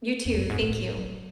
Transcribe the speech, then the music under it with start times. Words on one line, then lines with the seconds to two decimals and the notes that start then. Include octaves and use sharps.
You too. Thank you.
0.25 E2
0.38 F#2
0.49 G#2
0.62 A2
0.97 F#3